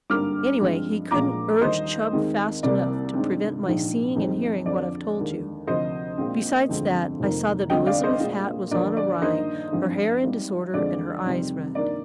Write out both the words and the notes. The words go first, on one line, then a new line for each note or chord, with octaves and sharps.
Anyway, he couldn't urge Chub fast enough to prevent my seeing and hearing what I've told you. Besides that, I saw that Elizabeth's hat was on awry, her hair in disorder, and her eyes red.
G#1 G2 D3 G3 A#3 D6 F6
G2 F3 G#3 C4
A#1 A#2 F3 G#3 A#5 D6
D#2 D#3 G3 C5 D#5
D#2 D#3 G#3 C4
C2 C3 G3 A#3 D5
G2 D#3 G#3 C4
A#1 G#2 F3
F2 D#3 G#3 C4
F2 D3 F3 D5
D#2 D3 G#3
D2 C3 F3 C5 D#5
A#1 A#2 G#3 C4
G1 F2 D3 G#3 C4
F1 F2 D#3 A#3
D2 D3 G3 C4 D#5 G5
D5 F5
C5 D#5
A#1 A#2 G#3
D2 D3 F3 A#3 D5
D5
G2 D#3 A#3 C5 D#5
G#1 G2 F3 C4
G#1 G#2 G3
F2 D3 F3 G#3 D5
F2 C3 D#3 G3 C4
G2 D#3 A#3 D5